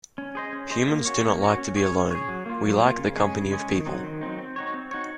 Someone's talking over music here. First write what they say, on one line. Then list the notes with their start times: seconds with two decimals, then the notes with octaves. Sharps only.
Humans do not like to be alone, we like the company of people.
0.18 C#4
0.35 G#4 C5 D#5
0.53 C#4
0.70 G#4 C5 D#5
0.88 A#3
1.06 C#4 F#4 C#5
1.23 A#3
1.41 C#4 F#4 C#5
1.58 C#4
1.76 G#4 C#5
1.93 C#4
2.11 G#4 C#5
2.28 F#3
2.46 A#3 F4
2.63 F#3
2.81 A#3 F4
2.98 C#3
3.16 G#3 C#4 G#4
3.33 C#3
3.51 G#3 C#4 G#4
3.69 D#3
3.86 F#3 C4 D#4
4.03 D#3
4.21 F#3 C4 D#4
4.38 C4
4.56 D#4 F#4 C#5
4.74 C4
4.91 D#4 F#4 C#5